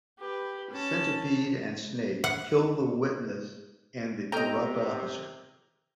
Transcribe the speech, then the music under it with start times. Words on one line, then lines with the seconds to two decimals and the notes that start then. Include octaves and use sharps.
The Centipede and Snake kill the witness and the corrupt officer.
0.19 G4 B4
0.70 C#4 A5
2.24 F#5
4.32 C3 B3 A4 D#5 G5 A#5 F6